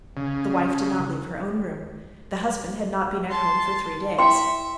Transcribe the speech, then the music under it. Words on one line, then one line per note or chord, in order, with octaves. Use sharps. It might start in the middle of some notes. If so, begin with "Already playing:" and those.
The wife did not leave her own room, the husband had not been at home for three days.
C#3
A5 C6
E4 E5 G5 C6